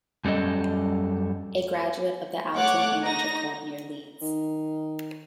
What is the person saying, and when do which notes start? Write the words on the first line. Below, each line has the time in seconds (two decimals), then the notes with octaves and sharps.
A graduate of the Oulton amateur club near Leeds.
0.25 F#2 G3 C#4 A4 D#5
2.56 A3 C#5 F#5 D6
3.02 D#4 A#6
4.22 D#3